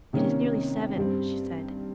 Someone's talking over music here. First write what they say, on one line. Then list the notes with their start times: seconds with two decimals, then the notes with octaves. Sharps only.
'It is nearly seven,' she said.
0.13 C3 D#3 A#3 C#4
0.97 G2 G3 C4